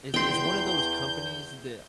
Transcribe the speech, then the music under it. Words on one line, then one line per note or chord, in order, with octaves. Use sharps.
it's it's one of those companies that
E2 G5 C6 G6